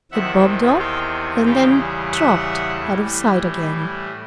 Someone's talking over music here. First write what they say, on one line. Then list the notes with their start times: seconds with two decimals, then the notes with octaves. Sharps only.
It bobbed up and then dropped out of sight again.
0.12 E2 C3 D#3 E5 F#5
0.79 F5 G5
1.45 E2 C#3 E3 G3 F5 G5
2.12 E5 F#5
2.79 A2 E3 G3